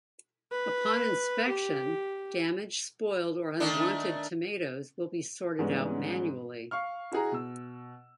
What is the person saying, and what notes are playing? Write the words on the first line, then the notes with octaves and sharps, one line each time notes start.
Upon inspection, damaged, spoiled or unwanted tomatoes will be sorted out manually.
B4
G4
D#3 A3 D4
G#2 E3 G3 G#3 B3 C#4
F5 C#6 F6
E4 F#4 G#4 A#5
B2 E6